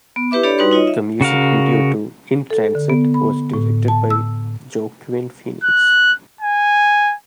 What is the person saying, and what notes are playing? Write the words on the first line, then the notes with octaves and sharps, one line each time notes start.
The music video to "In Transit" was directed by Joaquin Phoenix.
B3
E4 G4 B4 E5 D6
D4 G4 A4 C#5 D5 B5
G3 D#4 F#4 B4 C6
D#4 F4 C#5 D#5
E5
C#3 F#4 A#4 F5
A4
D3
B3
B5
A2
A5
E6
F#6
G#5